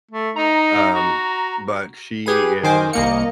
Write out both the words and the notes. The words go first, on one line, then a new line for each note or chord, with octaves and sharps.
um, but she is
A3
D#4 A#5
F#4
G4 G#4 B4 D#7
D#3 C5 D#5 G#5 D6
C2 A#3 D#5 F5 C#7